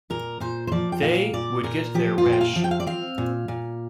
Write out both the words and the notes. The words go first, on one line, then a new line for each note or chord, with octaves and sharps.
They would get their wish.
A#2 A#4
A#2 C5
C5
F3 D5
G5
A#2 F5
A#2 D5
A#2 A#4
F3 G4
F4
A#2
G5
F5
F3
G5
F5
D5
C4 F5
A#2
A#2